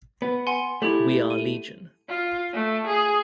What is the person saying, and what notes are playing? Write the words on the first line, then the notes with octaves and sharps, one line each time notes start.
We are Legion.
B3
F#5 G#5 C6
A3 E4 G4 F#7
D#7
F4
A3
G#4